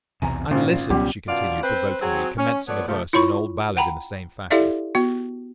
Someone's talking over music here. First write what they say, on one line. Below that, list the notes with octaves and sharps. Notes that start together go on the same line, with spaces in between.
'And listen,' she continued, provokingly, commencing a verse of an old ballad in the same fashion.
B1 E2 C3 G#5 A#5
G#1 A#2 C#4 F4
C#2 B2 F#3 G3 B3 C#4 F4 G4
F#2 B2 F4 D5 F5
C4 B4 C5
F#3 C4 G#4
C#4
F3 A3 B3 B4 C#5 D5
C3 F3 A3
E4 F4 C#5 B5 C#6
F#5 G5 A#5 B5
E4 G4 A4 D5 E5 F5
B3 F#4